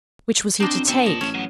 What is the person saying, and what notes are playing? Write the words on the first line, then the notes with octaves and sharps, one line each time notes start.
Which was he to take?
C4 D4 D#4
F2
B2 C4 C#5 A5
A#2 D#5
A1 C#4
F#3 B3